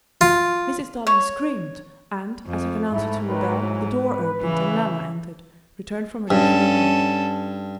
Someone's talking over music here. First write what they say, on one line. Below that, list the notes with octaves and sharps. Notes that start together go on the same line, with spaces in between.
Mrs. Darling screamed, and, as if in answer to a bell, the door opened, and Nana entered, returned from her evening out.
F4
C#5
F2
G#2 A3 E4
D#3 F#3 B4
E3 F#3
B4
C#3 E3
G2 C#4 A4